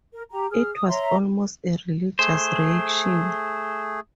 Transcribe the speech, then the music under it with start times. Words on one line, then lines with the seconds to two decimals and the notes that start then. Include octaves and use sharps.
It was almost a religious reaction.
0.12 A#4
0.29 G4 A#5
0.51 G#4 F6
0.74 D#6
0.89 C#5 E5 A#5 C6
2.19 A3 G#4 C5